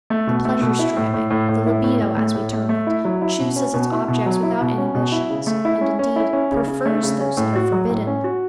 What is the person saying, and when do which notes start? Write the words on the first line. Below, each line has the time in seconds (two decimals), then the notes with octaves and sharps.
The pleasure-striving--the libido, as we term it--chooses its objects without inhibitions, and indeed, prefers those that are forbidden.
0.10 A3
0.27 B2
0.45 A3
0.61 B2
0.79 E4
0.97 A2
1.14 A2
1.30 A2
1.49 A2
1.66 E4
1.84 A2
2.00 A2
2.17 A3
2.35 A2
2.53 A3
2.69 A3
2.87 E4
3.05 F#3
3.21 E4
3.40 B2
3.56 C#4
3.74 B2
3.92 E4
4.08 B2
4.26 F#3
4.43 E4
4.61 B2
4.78 C#4
4.95 B2
5.12 E4
5.30 C#3
5.47 A3
5.65 E4
5.81 C#4
5.99 C#4
6.16 E4
6.33 C#4
6.52 C#3
6.68 C#3
6.86 A3
7.03 C#3
7.21 C#4
7.37 A2
7.56 F#4
7.72 F#3
7.89 A2
8.07 C#4
8.24 F#4